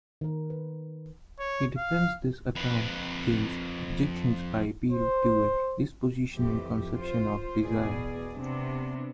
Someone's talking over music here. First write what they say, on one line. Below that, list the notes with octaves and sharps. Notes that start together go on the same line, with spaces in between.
He defends this account against objections by appeal to a dispositional conception of desire.
D#3 A#4
B4
C#5
F5
F2 B4
C5
F2 E3 G4
F4 C5
E2 B2 G#4 D5
C3 B3 D4